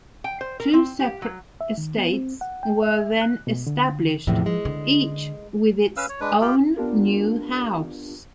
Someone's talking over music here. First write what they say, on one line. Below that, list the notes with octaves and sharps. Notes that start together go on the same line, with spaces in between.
Two separate estates were then established, each with its own new house.
G5
C5
A#4
C4
G4
F#3
E5
D#3
B3
C4
F#5
G5
E5
F#6
B2
D3
E2 A2 C3 F3
G#3
D3
C#4 B4 F5 E6
C#5
G#3 D4 B4
F4 G4
B3 D4 F4 G4 A#4